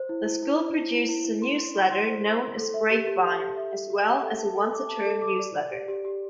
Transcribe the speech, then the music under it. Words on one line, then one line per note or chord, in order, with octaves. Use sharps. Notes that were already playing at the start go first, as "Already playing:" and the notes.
The school produces a newsletter known as 'Grapevine' as well as a once-a-term newsletter.
Already playing: C5
E4
E4
E4
E4
E4
E4
E4
E4
C6
C6
C6
C6
C5
C6
C6
A4
E5
G4
G4
G4
G4
E5
G4
G4
E5
A4
A5
A4
D6
A5
A4
D6
D5
D5
G4
G4
G4